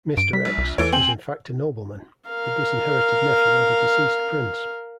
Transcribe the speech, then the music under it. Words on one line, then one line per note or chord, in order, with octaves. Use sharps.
"Mister X" is in fact a nobleman, the disinherited nephew of a deceased prince.
G2 D7
G3 B6
A#1
C2
E2 E3 A3 C#5 D7
C4 G5 G#5 F#7
A#4 F5